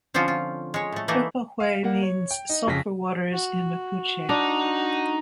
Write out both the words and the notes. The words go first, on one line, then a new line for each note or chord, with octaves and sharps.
"Copahue" means "sulphur waters" in Mapuche.
D3 F3 C4 C#4 F4 F#4
F4
G#3 C#5
A2 A3
E3 A3 A#3 D#4 E4
F5
G3 A#3 F#5
C#5
G5
D#4
F2 C#3 G5 A#6 B6
F#4
D4 D#4